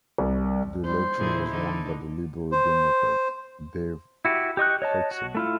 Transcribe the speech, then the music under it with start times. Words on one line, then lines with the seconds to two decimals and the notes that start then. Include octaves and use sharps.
The election was won by the Liberal Democrat, Dave Hodgson.
0.18 C2
0.85 G3 C5
1.17 A#2 D3 E4 G#4
1.49 D3 D#4
2.52 C5
4.25 E4 F#4 G4
4.57 G4 D#5 C#6 F#6
4.82 C#5 D#5 A5
5.11 F#4
5.35 A3 E4 F4